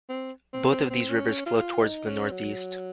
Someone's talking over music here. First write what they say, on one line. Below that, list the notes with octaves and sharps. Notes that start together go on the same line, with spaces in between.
Both of these rivers flow towards the northeast.
C4
C4
C4
C4
C#4
F4
D#4
C#4
F#3